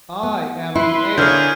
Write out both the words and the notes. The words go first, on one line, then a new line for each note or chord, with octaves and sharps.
"I am the heir."
B3
E4 B4 C6
D3 A#3 E4 G#4 C#5 F6 G6